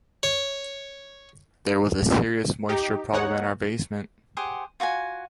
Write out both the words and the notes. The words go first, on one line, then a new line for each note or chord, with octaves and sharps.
There was a serious moisture problem in our basement.
C#5
D#4 G4
D#2 D#4 C#5 F#5
G4 G#4 C5 F#5
F4 F#4 F#5 G#5